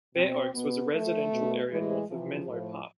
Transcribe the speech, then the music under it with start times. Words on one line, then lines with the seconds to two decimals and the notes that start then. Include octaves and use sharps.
Fair Oaks was a residential area north of Menlo Park.
0.15 B2 C4
0.53 B2 B3
0.93 A2 F3 A3
1.31 B2
1.70 A2 E3 G#3
2.09 C3 E3 F3
2.47 A2 F3